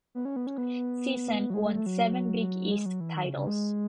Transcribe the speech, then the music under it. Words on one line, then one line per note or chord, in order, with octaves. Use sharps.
Sisson won seven Big East titles.
B3
C#4
B3
C#4
B3
F#3
G#3
A3
A3
F#3
G#3
F#3
E3
D#3
C#3
C#3
G#3